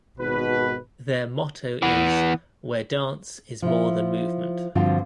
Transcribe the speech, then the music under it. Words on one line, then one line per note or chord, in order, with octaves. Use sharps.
Their motto is "Where Dance Is More Than Movement".
G#1 B2 B4
E3 B3
F3 E4
G2 D3 F3 C4 F4 F#4